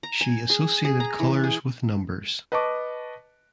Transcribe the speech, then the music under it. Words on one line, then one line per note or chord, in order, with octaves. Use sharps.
She associated colours with numbers.
A#5
G#5
G#4
G#4
A#5
E3
G#4
B4 D#5 A5 C#6 D6